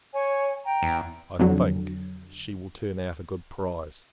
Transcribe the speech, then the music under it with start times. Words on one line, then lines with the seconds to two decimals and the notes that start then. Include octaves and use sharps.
I think, she will turn out a good prize.
0.13 C#5 G#5
0.66 G5 A#5
0.82 E2
1.39 F2 D3 F#3